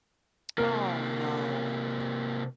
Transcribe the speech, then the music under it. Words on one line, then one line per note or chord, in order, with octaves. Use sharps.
Oh, no.
C3 A#3 A#4